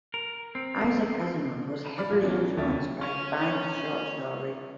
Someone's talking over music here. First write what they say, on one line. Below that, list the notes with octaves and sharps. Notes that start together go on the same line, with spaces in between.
Isaac Asimov was heavily influenced by the Binder short story.
A#4
C4
D5 B5 F6
A#1 F4
E3 F#3 B3 C#4 D4 F4
D#2 C#5 E5 A6
C#4 C#5